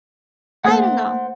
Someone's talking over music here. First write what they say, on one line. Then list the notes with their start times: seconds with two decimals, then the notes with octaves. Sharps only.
I don't know.
0.65 A3 A#3 C5 F#5